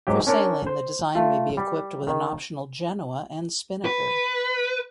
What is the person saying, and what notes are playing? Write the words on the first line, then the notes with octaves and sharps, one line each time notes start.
For sailing the design may be equipped with an optional genoa and spinnaker.
G#2 F#3 G4
C#4 D4 A#4 C#5
C5
A3 F4
G3
D#3
B4